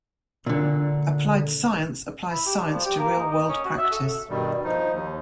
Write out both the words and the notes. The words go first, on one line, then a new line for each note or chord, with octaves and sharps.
Applied science applies science to real world practice.
A#2 D3
E4
G4
D4
F3
G4
A#3
D#4
D#5
C#4
F#4
E5
A4
G2 B2 D#3 G3
F3 D#4
D#2